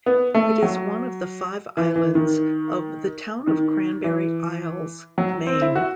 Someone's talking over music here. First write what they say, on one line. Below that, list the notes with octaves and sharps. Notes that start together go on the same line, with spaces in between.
It is one of the five islands of the Town of Cranberry Isles, Maine.
B3
A3
F#3
E3
E3
D#3
D#3
E3
F#3
C4
E4
F#4